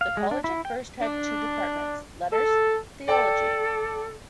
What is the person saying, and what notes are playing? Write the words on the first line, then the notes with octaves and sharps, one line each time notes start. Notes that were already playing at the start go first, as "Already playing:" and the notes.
The college at first had two Departments: Letters, Theology.
F5
G#3
D4
E4
G5
D4
A4
A4 D5 G5 A5